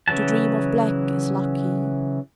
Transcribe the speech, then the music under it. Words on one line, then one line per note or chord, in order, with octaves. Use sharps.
To dream of black is lucky.
C#3 E3 F#3 A5